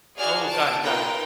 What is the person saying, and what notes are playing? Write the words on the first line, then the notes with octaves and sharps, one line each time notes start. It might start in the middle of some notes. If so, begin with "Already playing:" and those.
Oh, got it, got it.
F#4 G#4 D5 F6
A5 D7
D#4 F4 A#4 B4 G5